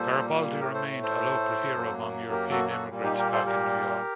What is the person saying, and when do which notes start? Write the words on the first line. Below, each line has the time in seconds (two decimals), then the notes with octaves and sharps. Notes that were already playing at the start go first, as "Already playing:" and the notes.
Garibaldi remained a local hero among European immigrants back in New York.
Already playing: A#2 G3 A#3 A4 C5
0.60 A2 A3 G4 A#4
0.74 A4 C5
1.03 A4 C5
1.74 F#2 F#3 A#3
2.31 G4 A#4
2.50 F#4 A4
2.70 F#4 A4
2.88 A#2 G3 A#3
3.03 D#4 G4
3.18 G4 A#4
3.33 A4 C5
3.46 G4 A#4